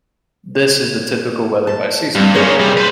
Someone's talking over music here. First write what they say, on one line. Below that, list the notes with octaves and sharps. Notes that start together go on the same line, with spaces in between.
This is the typical weather by season.
A5
G2 G3 C4
A#3 C#4 G#4 C5 C#5
C2 G3
B4 C5